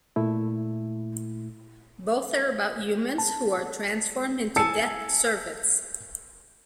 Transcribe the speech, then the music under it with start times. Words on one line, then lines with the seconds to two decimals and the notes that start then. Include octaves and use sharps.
Both are about humans who are transformed into Death's servants.
0.16 A#2 A3 E4
3.18 A5
4.56 G#5 A5 E6 C#7